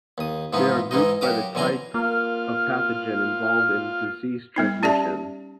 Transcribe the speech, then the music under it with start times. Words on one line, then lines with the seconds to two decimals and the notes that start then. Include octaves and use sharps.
They are grouped by the type of pathogen involved in disease transmission.
0.18 D#2 D#6
0.53 G#2 E3 F3 B3 D#4
0.91 G#2 E3 G#3 D#4 D#5
1.21 F#2 F#4 G4 F5 D6 D#6
1.55 B1 D3 E3 G#5 A#5 C6
1.94 A#3 F4 F6
4.56 G3 B3 D#4
4.83 C#4 G4 D5 E5 A5